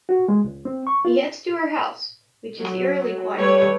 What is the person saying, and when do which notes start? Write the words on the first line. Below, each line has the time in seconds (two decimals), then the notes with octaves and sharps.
He heads to her house, which is eerily quiet.
0.09 F#4
0.28 G#3
0.44 C#2
0.65 C4
0.87 C#6
1.05 F4
2.59 F#3
3.35 G3 A3 G4 B4 C#5